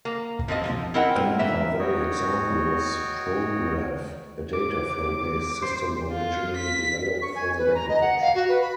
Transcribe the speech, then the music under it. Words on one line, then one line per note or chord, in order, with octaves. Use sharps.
Another early example was Prograph, a dataflow-based system originally developed for the Macintosh.
A#3
F3 C4 D4 D#5
F3
C4 E4 A#4 D#5 F#5 G5
E3 A#3 E5
F#4 C#5 D#5 G5
D6
C5
F4
B6
C#6
G#5
B4
A#5
D#5
F#5
F5
F#4
B4
B5